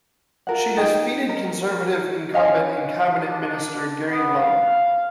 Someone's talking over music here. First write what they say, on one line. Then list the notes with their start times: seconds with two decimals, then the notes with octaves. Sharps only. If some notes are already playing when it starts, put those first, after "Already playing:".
She defeated Conservative Incumbent and cabinet minister Gary Lunn.
0.47 F4 A#4 F#5
0.77 D#4 G5
1.29 A#4
2.32 C#4 D#5 F5 G#5
3.24 D4
4.07 B3
4.36 F5